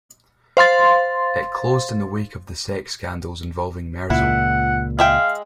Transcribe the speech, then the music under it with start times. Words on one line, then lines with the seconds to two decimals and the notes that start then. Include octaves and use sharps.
It closed in the wake of the sex scandals involving Merzel.
0.57 C5 F5 C6 A6
4.10 C#2 A#2 E4 F#5
4.99 G#3 E5 F5 G5